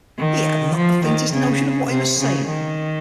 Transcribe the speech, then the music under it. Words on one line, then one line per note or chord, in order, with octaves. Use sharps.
He had not the faintest notion of what he was saying.
D#3
F3
D#3
C#3
C3
C#3
D#3